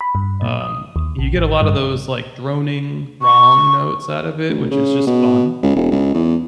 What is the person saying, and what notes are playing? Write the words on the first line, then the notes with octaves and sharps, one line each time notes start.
Um, you get a lotta those, like, droning wrong notes out of it, which is just fun,
B5
G2
A#2
D#6
D#2
A#1
A1
G2
C#6
D2
C#3
B2
C#2
E1
C#2
E2